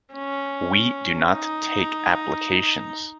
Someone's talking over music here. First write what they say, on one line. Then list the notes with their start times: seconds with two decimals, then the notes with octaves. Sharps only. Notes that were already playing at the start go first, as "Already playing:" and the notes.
We do not take applications.
0.14 C#4
1.32 D#4